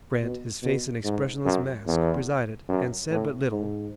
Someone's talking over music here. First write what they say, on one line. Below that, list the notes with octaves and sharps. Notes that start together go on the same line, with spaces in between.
Grant, his face an expressionless mask, presided, and said but little.
B2
B2
G#2
F#2
E2
F#2
A2
G#2